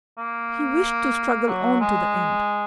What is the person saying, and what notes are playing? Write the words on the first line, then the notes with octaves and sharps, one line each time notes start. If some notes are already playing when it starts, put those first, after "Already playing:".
He wished to struggle on to the end.
A#3
F#3
G#3